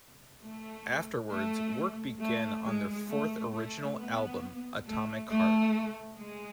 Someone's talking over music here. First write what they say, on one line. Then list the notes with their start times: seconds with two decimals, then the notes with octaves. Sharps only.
Afterwards work began on their fourth original album "Atomic Heart".
0.43 A3
1.31 A3
2.19 A3
2.64 G#3
3.08 A3
3.52 A3
3.96 B3
4.84 A3
5.28 A3
6.17 G#3